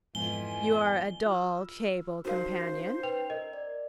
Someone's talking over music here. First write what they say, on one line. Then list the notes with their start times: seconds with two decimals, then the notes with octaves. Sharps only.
You are a dull table-companion.
0.15 F2 G#2 E3 F3 B3 F4 G#5 G7
1.25 F4 E6 F6
2.25 C#4 D#4 F#4 A#4 C5 F5 F#6
3.03 B4 G5 F7
3.30 A#4 D#5
3.53 D5